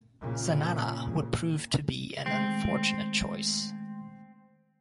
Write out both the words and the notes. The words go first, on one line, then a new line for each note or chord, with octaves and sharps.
Zanana would prove to be an unfortunate choice.
A#2 C#3
D#3 G#3 A3 C4